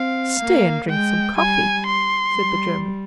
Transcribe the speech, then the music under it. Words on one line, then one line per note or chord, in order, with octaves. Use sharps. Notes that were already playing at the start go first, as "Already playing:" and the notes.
"Stay and drink some coffee," said the German.
Already playing: C4 F5
A#3
G#3 G5
G3 G#5
C6
G3